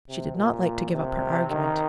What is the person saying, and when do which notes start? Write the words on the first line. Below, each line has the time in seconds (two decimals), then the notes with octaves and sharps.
She did not like to give up her argument.
0.09 C3
0.36 A#2
0.93 C3
1.50 D#3